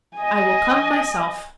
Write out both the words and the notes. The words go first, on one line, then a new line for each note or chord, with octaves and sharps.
"I will come myself."
D#5 G#5